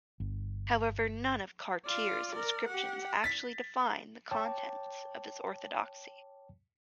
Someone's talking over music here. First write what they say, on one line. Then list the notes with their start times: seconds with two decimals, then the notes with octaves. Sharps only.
However, none of Kartir's inscriptions actually define the contents of his orthodoxy.
0.20 G1
1.85 F4 D5
2.32 A#4 D5
2.66 G4 F#5
3.24 A6 B6
4.31 C#5 G5 A5 D6